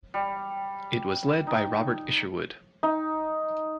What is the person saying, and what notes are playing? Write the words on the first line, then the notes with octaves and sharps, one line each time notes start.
It was led by Robert Isherwood.
G3
D#4
D#4